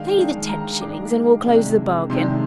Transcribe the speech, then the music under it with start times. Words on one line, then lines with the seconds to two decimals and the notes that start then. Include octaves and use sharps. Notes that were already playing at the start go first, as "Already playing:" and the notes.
Say the ten shillings, and we'll close the bargain.
Already playing: D#3 G#3 D4 F5 G5
0.17 D#3 G#3 D4
0.49 A#5
0.81 D#3 G#3 D4 D6
1.46 C3 D#3 G#3 D4
2.10 C3 D#3 G#3 D4 C6